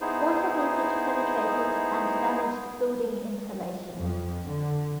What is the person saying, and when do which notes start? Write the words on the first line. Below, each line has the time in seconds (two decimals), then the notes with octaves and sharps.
Water leakage penetrated, and damaged building insulation.
0.01 B3 D#4 E4 G#4 C5
3.95 F2
4.46 D3